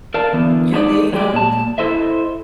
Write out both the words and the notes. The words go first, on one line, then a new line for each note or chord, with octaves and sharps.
Yeah, they, um
A#4 D5 F5 A5
D3 E3 B3
G#3 D4 D#4 D5
F#3 G#3 G4 D5
A#2 A5
E4 A4 C5 D#5 E5